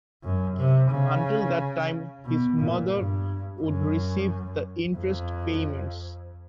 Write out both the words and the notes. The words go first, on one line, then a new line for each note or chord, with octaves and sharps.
Until that time, his mother would receive the interest payments.
F#2
C3
C#3
B2
A#2
G2
F#2
F2